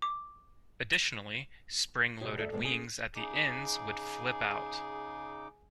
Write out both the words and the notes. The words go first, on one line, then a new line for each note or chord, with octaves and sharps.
Additionally, spring-loaded wings at the ends would flip out.
D6
D2 B2 G4 C#5
D2 A4 D5 E5
F2 A2 C3 G#3 B3 D5
C#4 G#4 G#5
C#3 D#4 G#4 D6